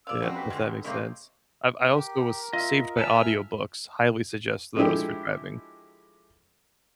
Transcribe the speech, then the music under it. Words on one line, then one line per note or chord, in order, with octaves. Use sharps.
yeah, if that makes sense. I've I also was saved by audiobooks. Highly suggest those for driving.
D5 F5 E6
F2 A#2 F#3 C4 C#4 F#4 F#5
G4 B4 B5
G#2 D3 G#3
B2 G#3 A#3 C4 E4 C#5 C6 D6
G4 A#4
F4 D#5 E5
B4 E5 G#5 A5 E6 F6
F3 G#3 A3 D4 E4 G4